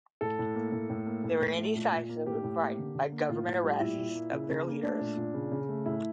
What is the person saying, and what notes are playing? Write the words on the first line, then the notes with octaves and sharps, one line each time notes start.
They were indecisive and frightened by government arrests of their leaders.
A2 A4
A2
A#3
A2
A2
A#3
A2
A2
A3
A#2
A#2
A#3
A2 G4
A2
A#3
D3
D3
A#3
A2 F4
A2
G3
A#2 E4
A#2
A#3
C#3
C#3
A#3
A3 D4
A#2
A#2
C#3
C#3
A3
A2 E4